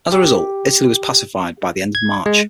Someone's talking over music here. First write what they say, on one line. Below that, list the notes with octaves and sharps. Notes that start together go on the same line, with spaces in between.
As a result, Italy was pacified by the end of March.
G4
G#6
G#3